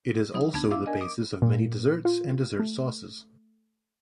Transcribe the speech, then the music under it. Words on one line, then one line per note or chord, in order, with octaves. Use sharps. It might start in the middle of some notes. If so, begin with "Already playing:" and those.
It is also the basis of many desserts and dessert sauces.
F#3 D#4 D#6
D2 B3 D4 A5 G#6
E4 F5 D6 E6
D4 A#4 D#5 G#5
D6 D#6
A#2
F4
A3